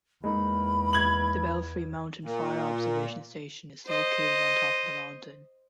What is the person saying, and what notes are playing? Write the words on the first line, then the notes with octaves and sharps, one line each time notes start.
The Belfry Mountain Fire Observation Station is located on top of the mountain.
E2 G#3 A#3 D#4 B5
G#6 F#7
A#2
C5 D#5